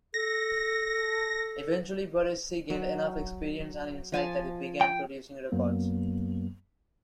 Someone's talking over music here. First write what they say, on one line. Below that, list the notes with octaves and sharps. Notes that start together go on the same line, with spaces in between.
Eventually Barresi gained enough experience and insight that he began producing records.
A4 A#6
F#3
F3 G#5 A5
G5
F#2 F#3 A#3 B3